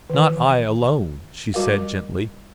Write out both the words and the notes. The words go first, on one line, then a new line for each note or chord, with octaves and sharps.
"Not I alone," she said gently.
D#3 E3
G3 F#4 A#4 F5